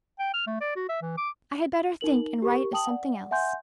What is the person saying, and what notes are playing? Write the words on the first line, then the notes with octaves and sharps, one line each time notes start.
I had better think and write of something else.
G5
F6
A3
D5
F#4
E5
E3
D6
D#4 A#4 F#7
G4 A#4 C#6
G5 A5 D#6 F#7
D5 F#5
E5 F#5 G#5 C6 G6